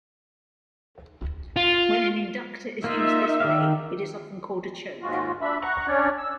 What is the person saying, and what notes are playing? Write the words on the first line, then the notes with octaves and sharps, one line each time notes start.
When an inductor is used this way it is often called a choke.
F4
A#3 D#4 F4 E5
D#3 D5 F5
D#2 G#2 G#3 F4 F#4
D4 E5 B5
F#5 A#5 C#6 F#6
C#4 D4 C#5 D5
E6